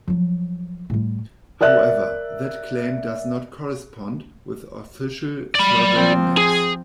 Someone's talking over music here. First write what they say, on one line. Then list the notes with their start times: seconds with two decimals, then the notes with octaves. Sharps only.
However, that claim does not correspond with official survey maps.
0.08 F3 F#3
0.90 A2 G3
1.61 A#4 D5 E5 F#6
5.55 D5 B5
5.91 F3 C4
6.38 G#4